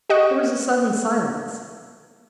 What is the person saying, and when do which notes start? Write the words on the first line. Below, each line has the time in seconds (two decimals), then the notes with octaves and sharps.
There was a sudden silence.
0.10 G4 D#5 F#5 C#6